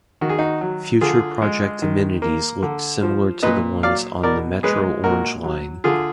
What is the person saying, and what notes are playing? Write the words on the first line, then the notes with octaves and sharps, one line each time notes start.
Future project amenities looked similar to the ones on the Metro Orange Line.
D#3 F#4
G#4
D#4 F#4
F#3
D3 F4 G#4
G#3
D#3
A#3
D3
F3
A#2 B4 D#5
F#3 D5 F5
B2 A#4 D5
G#3 G#4 B4
A#2 F#4 A#4
F#3
D3 F4 G#4